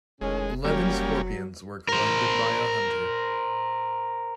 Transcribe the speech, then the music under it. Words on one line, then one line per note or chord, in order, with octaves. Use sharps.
Eleven scorpions were collected by a hunter.
F1 A2 D#3 G#3 C#4
F#3 G3 A#3 C#4
A#4 C5